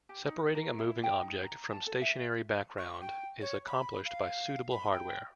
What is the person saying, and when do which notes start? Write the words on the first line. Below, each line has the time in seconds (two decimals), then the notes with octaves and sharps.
Separating a moving object from stationary background is accomplished by suitable hardware.
0.09 G4
0.26 D#4
0.55 A#4
0.79 E4
1.03 G5
1.21 D#4
1.43 A#5
1.72 A5
1.86 A4
2.02 E5
2.78 C#6
3.01 G5
3.41 C#5
3.67 B5
4.05 F5
4.72 B5
4.93 G5